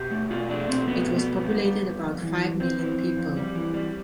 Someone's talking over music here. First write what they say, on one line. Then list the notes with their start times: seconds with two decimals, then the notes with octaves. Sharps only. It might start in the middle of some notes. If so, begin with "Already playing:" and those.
It was populated about five million people.
Already playing: B2 G4
0.11 A3
0.30 B2 F4
0.49 A3 D4
0.69 B2 C4
0.88 A3 B3
1.07 B2
1.16 B3
1.26 A3
1.45 G3
1.64 G3
1.83 F2
2.02 F2
2.22 E3
2.40 F2
2.60 F2 C4
2.78 E3
2.98 E3
3.17 F2
3.37 G3
3.55 E3
3.74 G3